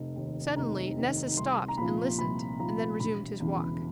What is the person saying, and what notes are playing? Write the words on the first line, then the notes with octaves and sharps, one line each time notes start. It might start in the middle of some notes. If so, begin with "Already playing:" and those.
Suddenly Nessus stopped and listened, and then resumed his walk.
Already playing: F1
D#2 D#3
F1 A#5
D#2 D#3
C2 C6
A#5
A#2 F3 B5
C2 B5
A#2 F3 A#5
E1 B5
E2 C#3 E3